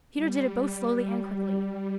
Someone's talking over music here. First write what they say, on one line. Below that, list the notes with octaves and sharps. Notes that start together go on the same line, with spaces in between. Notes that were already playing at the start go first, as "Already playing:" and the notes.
Peter did it both slowly and quickly.
G3
G3
G3